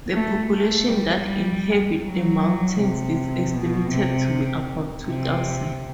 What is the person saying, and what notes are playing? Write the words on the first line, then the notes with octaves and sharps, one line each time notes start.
The population that inhabit the mountains is estimated to be about two thousand.
A3
A3
G3
F#3
C3
B2
C3
C3